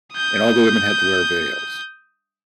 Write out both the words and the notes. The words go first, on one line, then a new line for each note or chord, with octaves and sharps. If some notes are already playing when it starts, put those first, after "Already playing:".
and all the women had to wear veils.
D#6 G6